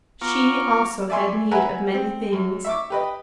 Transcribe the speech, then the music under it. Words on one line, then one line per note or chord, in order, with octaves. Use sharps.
She, also, had need of many things.
B3 F4 A#5 C#6 D6 F6
D5 E5 G#5 C6 C#6
B4 E5 F#5 G#5 A#5
C4
F#2
E5 C#6 D6
G4 B4 D#5